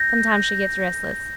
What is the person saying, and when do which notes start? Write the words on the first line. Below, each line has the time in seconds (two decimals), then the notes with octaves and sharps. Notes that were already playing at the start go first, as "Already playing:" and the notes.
Sometimes she gets restless.
Already playing: G6 A#6